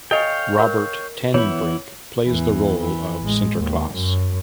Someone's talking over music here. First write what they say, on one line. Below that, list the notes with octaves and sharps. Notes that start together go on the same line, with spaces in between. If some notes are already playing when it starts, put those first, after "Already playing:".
Robert ten Brink plays the role of Sinterklaas.
A4 C#5 D#5 F5 G5 G#5
A#4 C#6
E3 B3 E4 C#5
E2 E3
E3
A1 G#3
D#2
F#2